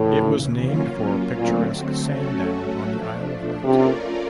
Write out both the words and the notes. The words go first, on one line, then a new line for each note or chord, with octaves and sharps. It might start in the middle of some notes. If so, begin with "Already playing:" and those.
It was named for picturesque Sandown on the Isle of Wight.
Already playing: D#2 A2 C#3 E3
F#3 A#3 C#4 F4
A#2 D3 F#3 A3 C4
F#3 A3 C#4 F#4 A4
F3 A3 D4
C3 A3 C#4 F4 A#4 D5